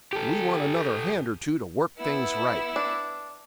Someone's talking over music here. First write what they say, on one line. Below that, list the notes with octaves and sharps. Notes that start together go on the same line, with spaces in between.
We want another hand or two to work things right.'
G4 A4
B3 E4 E6
D4